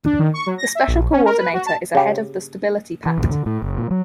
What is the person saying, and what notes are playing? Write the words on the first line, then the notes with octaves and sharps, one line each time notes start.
The Special Coordinator is a head of the Stability Pact.
D4
D#3
C#6
F#3
A#6
E5
A#1
C#4
A#4
B4
F#4
A5
C#3 G4
E3
A#1
D3
A2
F#1
A#2
F#3